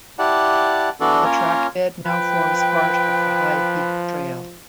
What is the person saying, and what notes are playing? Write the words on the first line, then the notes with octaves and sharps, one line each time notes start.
The trackbed now forms part of the High Peak Trail.
E4 G4 D5 F#5 A5
E3 B3 D4 F#4 A4 D5
A#3 C#4 F4 A#4 C#5
F3 B4 G5